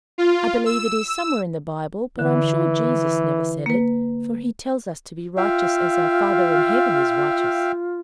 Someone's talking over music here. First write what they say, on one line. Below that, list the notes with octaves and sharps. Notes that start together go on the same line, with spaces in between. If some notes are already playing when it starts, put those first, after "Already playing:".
"I believe it is somewhere in the Bible, but I am sure Jesus never said it, for he tells us to be righteous as our Father in heaven is righteous."
F4
E6
D3 E3
A#3 B4
F4 E5 F5 G5